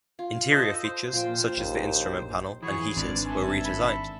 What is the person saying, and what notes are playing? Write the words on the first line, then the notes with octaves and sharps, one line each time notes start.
Interior features such as the instrument panel, and heaters were redesigned.
F4
A4 C5 D#5
C5
A#2 F3 F4 G5
A#1 D#2
F2 E3 F#4 G#4 C#5
G#1 C4 D4 B4 D5
A4 E5 G#5
B5